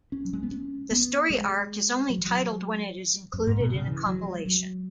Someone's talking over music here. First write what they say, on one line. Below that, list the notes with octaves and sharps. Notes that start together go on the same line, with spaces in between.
The story arc is only titled when it is included in a compilation.
C#4
F#3
G#3
B3
C#4
B3
G#3
F#3
E3
F#3
F#2
G#2
B2
C#3
E3
F#3
G#3
F#3